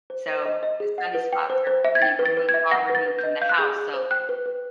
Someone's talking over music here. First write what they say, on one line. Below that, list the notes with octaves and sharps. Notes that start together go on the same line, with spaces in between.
So, the sunny spots are pretty removed are removed from the house, so
C5
C5
D#5
D#5
G#4
F#5
B4
G5
C5
C5
E5
G#6
G5 A6
B4
A6
B4
G#6
E5
F#5 A#6
B4
A6
B4
D#5 G6
F5 G6
F#6
G#4 G6
G#4
C5
G5 F#6
B4
B4